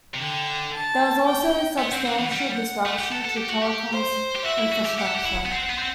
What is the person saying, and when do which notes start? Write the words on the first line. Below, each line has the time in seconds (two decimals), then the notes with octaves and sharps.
There was also substantial disruption to telecoms infrastructure.
0.14 C3
0.19 D3 G5
0.73 A5
1.26 G5
1.79 B3 F#5
1.93 C4
2.06 C4
2.19 E3
2.32 G3
2.86 A3
2.99 G4
3.12 A4
3.25 A4
3.37 G4
3.50 F#4
3.63 G4
3.92 C5
4.36 G4
4.45 F#4 E5
4.58 E4
4.72 F#4
4.85 G4
4.98 G4 F#5
5.07 A4
5.16 G4
5.25 E4
5.46 B3
5.52 C4
5.69 B3
5.78 C4